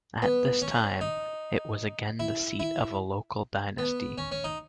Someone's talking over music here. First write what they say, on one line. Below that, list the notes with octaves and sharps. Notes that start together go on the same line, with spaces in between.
At this time, it was again the seat of a local dynasty.
B3
C#4
D#4
E4
E4
B3
C#4
C#4
D#4